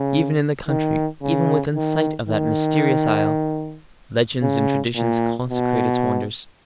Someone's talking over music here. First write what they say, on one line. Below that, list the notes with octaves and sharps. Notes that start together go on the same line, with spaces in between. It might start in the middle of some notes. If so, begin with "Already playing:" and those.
Even in the country, even within sight of that mysterious isle, legends and traditions consecrate its wonders.
Already playing: C#3
D#3
C#3
D#3
D#3
C#3
A#2
B2